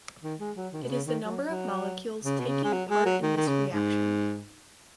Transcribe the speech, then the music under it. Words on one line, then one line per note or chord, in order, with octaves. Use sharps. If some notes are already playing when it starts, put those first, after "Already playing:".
It is the number of molecules taking part in this reaction.
D#3
G#3
F#3
D#3
B2
C#3
D#3
F#3
F#3
C#3
B2
C#3
G#3
F#3
G#3
F#3
D#3
D#3
C#3
G#2